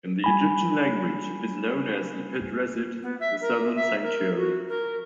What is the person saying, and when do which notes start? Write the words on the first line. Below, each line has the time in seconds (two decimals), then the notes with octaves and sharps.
In the Egyptian language it is known as "ipet resyt", "the southern sanctuary".
0.24 G3 G#5 B5
3.02 B3
3.19 E5
3.41 A#4
3.75 E5
4.02 A#4
4.37 F#4
4.68 A#4